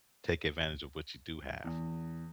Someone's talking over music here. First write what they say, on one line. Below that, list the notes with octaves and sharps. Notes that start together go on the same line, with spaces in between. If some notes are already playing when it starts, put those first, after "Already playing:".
take advantage of what you do have.
E2